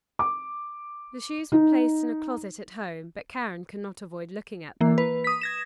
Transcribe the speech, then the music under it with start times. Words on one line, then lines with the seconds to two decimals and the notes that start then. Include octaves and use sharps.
The shoes were placed in a closet at home, but Karen could not avoid looking at them.
0.19 D6
1.52 D#4
4.81 E3 A#3
4.98 B4
5.24 D#6 B6
5.41 G#6 A#6 E7